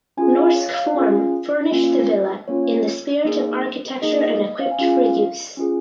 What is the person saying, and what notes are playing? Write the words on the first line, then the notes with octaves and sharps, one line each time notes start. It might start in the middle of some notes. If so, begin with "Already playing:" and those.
Norsk Form furnished the villa in "the spirit of architecture and equipped for use".
C#4 F4 G#4 G#5
F5
C#5
F5
C#4 F4 G#4
A#3 C#4 F4
A#3 C#4 F4 C#5
A#3 D#4 G#4
A#3 D#4 G#4 D#5
D#5
F5
G#5
C#4 F4 G#4 F5
C#4 F4 G#4